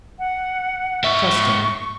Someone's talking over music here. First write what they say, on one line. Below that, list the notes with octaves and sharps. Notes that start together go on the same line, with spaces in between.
Trust him.
F#5
G#2 E5 C#6